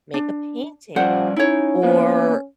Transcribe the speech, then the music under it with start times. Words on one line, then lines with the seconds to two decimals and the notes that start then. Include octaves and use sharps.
make a painting, or
0.14 D4
0.96 F3 G3 C#4 C5 D5 F#5
1.36 C#4 D#4 E4 C#5
1.83 A#3 B3 C#4 B4